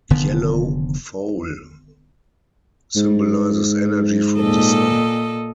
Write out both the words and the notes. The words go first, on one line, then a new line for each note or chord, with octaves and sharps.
Yellow foal symbolizes energy from the Sun.
F1 D3 D#3 B3
G#2
A#2 A4 D#5